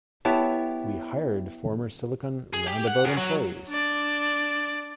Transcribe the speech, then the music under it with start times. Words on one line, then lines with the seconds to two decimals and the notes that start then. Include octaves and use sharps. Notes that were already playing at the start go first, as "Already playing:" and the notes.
We hired former silicon roundabout employees.
0.25 B3 E4 G4 C#5 A5
2.53 G#4
2.67 G4
2.88 F#5
3.05 F#2
3.17 F#3
3.68 D4 D5